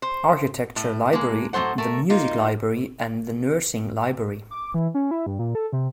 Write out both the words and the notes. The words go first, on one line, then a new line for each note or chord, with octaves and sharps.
Architecture Library, the Music Library, and the Nursing Library.
C5
A2
G#3 A#3
A2 F#3 A4 C5 F#5
A3 A#4
A#3 D#4 F4
D6
E3
C#4
E4
G2
A#2
A4
C3